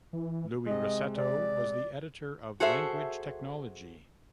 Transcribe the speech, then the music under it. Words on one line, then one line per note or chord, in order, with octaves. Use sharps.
Louis Rossetto was the editor of Language Technology.
E3
C3 G#3 D#5
D5
F#4 G#4 A4 C5 E5